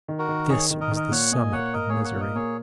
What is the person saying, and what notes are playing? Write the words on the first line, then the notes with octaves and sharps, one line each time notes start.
This was the summit of misery.
D#3
F#4 A#4
D#3
D#3 G#4 C#5
D#3
A#4 D#5
D#3
A#4 D#5
A#2 C#5 F#5
A#2 D#5 G#5
A#3 C#5 F#5
A#3 A#4 D#5
A#3 G#4 C#5
C#5 F#5
A#2
A#4 D#5
A#3 G#4 C#5